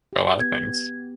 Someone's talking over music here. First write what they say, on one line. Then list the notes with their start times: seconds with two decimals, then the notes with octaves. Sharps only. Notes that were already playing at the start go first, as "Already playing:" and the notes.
A lotta things.
0.13 G4
0.40 B3 G#6